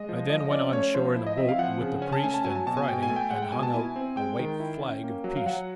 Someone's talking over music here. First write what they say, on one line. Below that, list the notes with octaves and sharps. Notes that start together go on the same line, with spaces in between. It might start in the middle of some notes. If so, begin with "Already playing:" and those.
I then went on shore in a boat, with the priest and Friday, and hung out a white flag of peace.
Already playing: G#3 D#5
F3
F3 D#5
D#5
C#4 D5
A3 C#5
F3 C5
E4
D#5
C4 E5
F5
F3 F#5
C#3
C#4 G#5
A5
A3 G#5
A5
F#3 G#5
A5
B2 A5
G#5
B2 G5
G#5
A3
G5
G#3 F#5
G5
B2 G#5
A5
E4 G#5
C4
G#3 G5
D#3
E4
C#4
A#3
F#3
F5
F#3 F#5